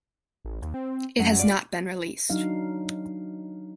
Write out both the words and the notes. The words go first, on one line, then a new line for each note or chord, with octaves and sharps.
It has not been released.
A1
D#2
C4
F#2 F#3 C#4
F4 D5
F#3 D4 D#4 F5